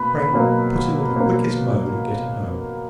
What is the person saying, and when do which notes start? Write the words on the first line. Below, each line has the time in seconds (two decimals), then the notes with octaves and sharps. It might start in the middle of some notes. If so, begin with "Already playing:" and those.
Pray, put him in the quickest mode of getting home.
Already playing: B2 A#3 B4 B5
0.33 B2 F#3 A#3
1.16 B2 F#3 A#3